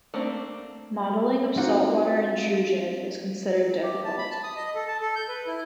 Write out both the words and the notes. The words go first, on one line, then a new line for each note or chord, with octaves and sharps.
Modeling of saltwater intrusion is considered difficult.
A3 A#3 C4 D4
C4 D4 D#4 F4 F#4 F#5
G4
A5
B5
A5
D#6
D#5
A4
A5
A4
G6
B4
E4